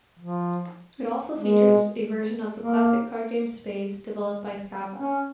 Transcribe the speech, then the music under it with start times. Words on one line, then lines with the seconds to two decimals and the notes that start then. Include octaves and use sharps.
It also features a version of the classic card game Spades, developed by Skava.
0.19 F3
1.38 G#3
2.59 A#3
4.99 C#4